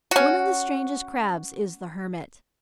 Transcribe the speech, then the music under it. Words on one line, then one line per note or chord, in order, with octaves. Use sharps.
One of the strangest Crabs is the Hermit.
C#4 F#4